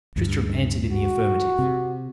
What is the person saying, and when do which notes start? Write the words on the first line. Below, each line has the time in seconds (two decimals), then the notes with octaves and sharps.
Tristram answered in the affirmative.
0.16 D2 G2
0.90 F#4
1.59 C3